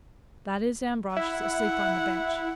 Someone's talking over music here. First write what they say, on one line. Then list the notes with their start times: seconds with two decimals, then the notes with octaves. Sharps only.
That is Ambrosch, asleep on the bench.
1.16 E4 F#5